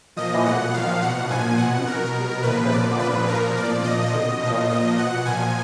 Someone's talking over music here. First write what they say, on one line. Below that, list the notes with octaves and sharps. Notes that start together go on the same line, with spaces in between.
Prior to that time, the Easters had been farmers in the Mississippi Delta.
A#2 F3 D#5
B2 F#5
A#2 F3 F5
B2 F#5
A#2 F3 G#5
B2 F#5
B2 A#4
B2
A#2 F3 B4
A#2 F3 D5
A#2 F3 B4
A#2 F3 A#4
A#2 F3 D5
A#2 F3 D#5
B2 D#5
A#2 F3
A#2 F3 D#5
B2 F#5
A#2 F3 G#5